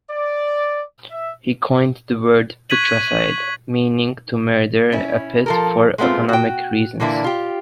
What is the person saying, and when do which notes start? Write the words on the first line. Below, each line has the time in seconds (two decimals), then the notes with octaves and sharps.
He coined the word "Pitracide", meaning "to murder a pit for economic reasons".
0.10 D5
1.10 E5
2.70 C#6 F#6 G#6 B6 D#7 F#7
4.92 C#4 E4
5.46 F3 A4 A#4
5.98 G#3 A3 B3 C4 F4
6.29 F#4 G5
7.00 A#2 D3 E3 A#3 D4 E4
7.24 F4 G4